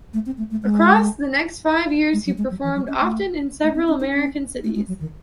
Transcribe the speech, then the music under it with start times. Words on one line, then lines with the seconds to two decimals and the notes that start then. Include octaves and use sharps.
Across the next five years he performed often in several American cities.
0.13 A3
0.26 C4
0.38 A3
0.51 A3
0.63 G#3
2.13 G#3
2.26 F#3
2.38 G#3
2.50 F#3
2.64 E3
2.75 F#3
2.88 C#4
3.00 A3
3.63 A3
3.75 C4
3.88 C#4
4.00 D#4
4.13 C#4
4.64 A3
4.75 G#3
4.88 F#3
5.00 D#3